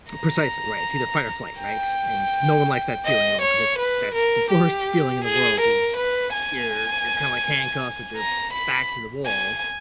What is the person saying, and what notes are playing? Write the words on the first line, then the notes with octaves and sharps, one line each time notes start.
Precisely, right. It's either fight or flight, right? And no one likes that feeling at all, 'cause it's that's the worst feeling in the world is you're you're kinda like handcuffed with your back to the wall.
A#5
G5
D#5
C#5
B4
A#4
G4
G#4
A#4
B4
G#5
A#5
B5
G#5